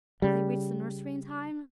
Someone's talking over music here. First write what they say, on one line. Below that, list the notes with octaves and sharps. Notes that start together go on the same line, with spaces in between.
Will they reach the nursery in time?
C#3 G3